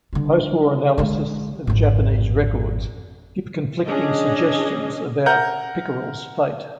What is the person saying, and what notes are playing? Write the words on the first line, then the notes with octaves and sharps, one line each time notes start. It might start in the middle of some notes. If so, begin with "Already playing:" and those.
Post-war analysis of Japanese records give conflicting suggestions about "Pickerel"s fate.
D3 G3
D3 G#3
G#1 F2
C#4 D4 G#4 D#5
A#4 F#5 A#5 G6